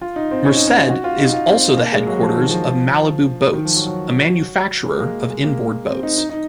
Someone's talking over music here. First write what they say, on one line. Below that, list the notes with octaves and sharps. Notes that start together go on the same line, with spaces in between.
Merced is also the headquarters of Malibu Boats, a manufacturer of inboard boats.
F4
D#4
C4
C#4
D#4
C#4
F4
F#4
F4
D#4
F4
C4
A#3
G#3
F#3
F3
D#3
F3
D#3
F3
F#3
F#3
G#3
A#3
G#3
A#3
C4
D#4
D#4
D#4